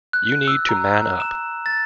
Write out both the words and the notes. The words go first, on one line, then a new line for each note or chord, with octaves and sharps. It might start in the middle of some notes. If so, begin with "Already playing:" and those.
You need to man up!
F#6
E6
A#5
E7
A6